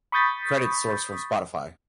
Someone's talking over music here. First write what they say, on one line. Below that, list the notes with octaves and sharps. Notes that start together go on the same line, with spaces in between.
Credits sourced from Spotify.
B5 C#6 D#6 G6 A6 B6